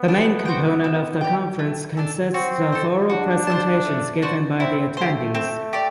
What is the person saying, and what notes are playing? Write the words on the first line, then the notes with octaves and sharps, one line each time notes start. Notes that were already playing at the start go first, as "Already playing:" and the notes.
The main component of the conference consists of oral presentations given by the attendees.
Already playing: B3
D4
F#4 C5 G5
C4
G4 D5 G5
A3
D4 A4
C4 F#4
A4 C5
D4 F#4
C5 E5 A5
A3
D4 F#4 C5
C4 E4
A3 G4 C5
C4
G4 D5